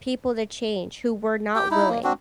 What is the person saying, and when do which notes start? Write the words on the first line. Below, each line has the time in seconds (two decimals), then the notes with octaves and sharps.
people to change who were not willing
1.55 G4 G5
1.71 D#4 E4
1.89 A#3
2.04 C4 D4 F#4